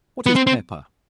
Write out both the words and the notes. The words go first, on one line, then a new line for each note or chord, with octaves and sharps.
What is Pepper?
B3
C4
C4